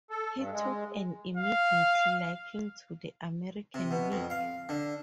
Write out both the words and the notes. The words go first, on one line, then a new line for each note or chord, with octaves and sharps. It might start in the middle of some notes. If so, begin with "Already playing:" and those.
He took an immediate liking to the American League.
A4
G2
G#3
F5
C3
B2
F2
F5
D3